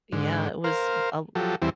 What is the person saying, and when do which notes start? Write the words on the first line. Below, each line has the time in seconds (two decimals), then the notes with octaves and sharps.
Yeah, it was a l
0.13 G#2 D3
0.64 A#4 C5 F5
1.35 F3 F#3 G4 A4
1.62 E2 E3 G3 C4